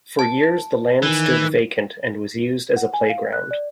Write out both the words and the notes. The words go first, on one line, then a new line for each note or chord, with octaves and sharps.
For years the land stood vacant and was used as a playground.
A5
D#3 E3
F#5
G#5
F5
F#6
D5